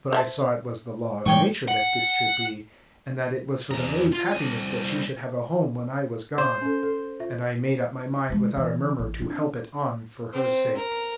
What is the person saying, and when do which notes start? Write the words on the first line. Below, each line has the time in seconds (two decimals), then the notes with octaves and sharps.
But I saw it was the law of nature that this should be, and that it was for the maid's happiness that she should have a home when I was gone; and I made up my mind without a murmur to help it on for her sake.
0.13 C5 E5 A5
1.26 G#2 E3 G3 C#5 G5 C#6
1.68 F#5
3.71 E2 A#5
4.13 F4
4.33 C2 G#5
6.38 C5
6.61 C#4 A4
6.83 A4
7.20 F4 E5
8.30 D3 G#3
8.56 E3 C4
8.99 A1
9.21 C4 D4
10.34 C4
10.77 A#4